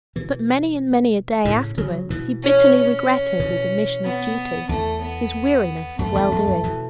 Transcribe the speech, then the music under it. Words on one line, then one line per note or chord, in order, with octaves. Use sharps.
But many and many a day afterwards he bitterly regretted his omission of duty; his weariness of well-doing.
B2 E3
A2 C#3
C#3 F#3
B2 E3
C#4
C#4
B2 E3
B3
E2 A3
B3
F#2 A3
E2
F#2
F#2
B2 E3